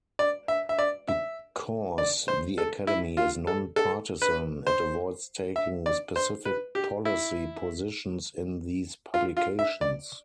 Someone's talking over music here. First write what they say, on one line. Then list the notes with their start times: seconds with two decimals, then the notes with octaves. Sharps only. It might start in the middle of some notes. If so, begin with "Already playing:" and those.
Because the Academy is non-partisan, it avoids taking specific policy positions in these publications.
0.19 D5
0.48 E5
0.69 E5
0.79 D5
1.08 E5
1.98 D5
2.28 C5
2.58 A4
2.87 E4
3.17 F4
3.47 A4
3.76 A4
4.22 B4
4.67 C5
5.56 E5
5.86 D5
6.16 C5
6.45 B4
6.75 G4
7.05 E4
9.14 F4
9.37 F4
9.59 E5
9.81 D5